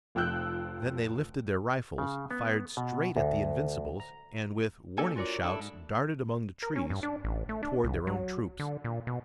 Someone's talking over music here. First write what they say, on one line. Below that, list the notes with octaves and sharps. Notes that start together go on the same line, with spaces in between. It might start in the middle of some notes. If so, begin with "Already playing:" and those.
Then they lifted their rifles, fired straight at the Invincibles, and with warning shouts darted among the trees toward their own troops.
F1 F3 G5 E6 F#6 G6
C#3
B3
B2
D2
A#5
G3 A#3 D4 A4 G#5
F4 F#4 A#4 C#5 D5
D4 E4 A4
G#2
A#4
C#4
G2
D4
A1
A3
D4
C2
F#3
D3
A#2
B2